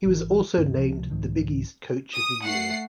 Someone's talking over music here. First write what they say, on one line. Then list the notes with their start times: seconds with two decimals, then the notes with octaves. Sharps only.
He was also named the Big East Coach of the Year.
0.06 G#1 E3
0.58 D2 G2 E3 B3
0.77 C#2 C3 F3
1.10 C2 G#2 D#3 F3
2.16 D#6
2.45 A3 F#5 C7